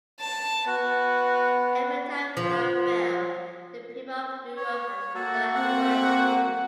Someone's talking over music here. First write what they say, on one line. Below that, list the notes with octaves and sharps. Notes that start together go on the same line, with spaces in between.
Every time, without fail, the people of New York have done the right thing.
A5
B3 F#4
F3
C#5
A#3 F#4 A4
C4 F#5